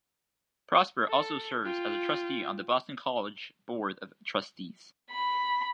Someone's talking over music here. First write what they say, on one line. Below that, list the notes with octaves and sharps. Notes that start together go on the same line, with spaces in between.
Prosper also serves as a trustee on the Boston College Board of Trustees.
A4
F4 G5
B5